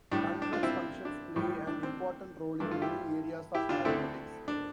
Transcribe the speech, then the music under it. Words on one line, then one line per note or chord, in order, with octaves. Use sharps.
Convex functions play an important role in many areas of mathematics.
A2 G3 D4
D4
D4 F4
C4 E4
D4
A2 E3 G3
D4
C4
G2 E3 A3 D4
F4 A4
E4 G4
E4 G4
D4 F4
D2 D3 A3 C4 E4
D4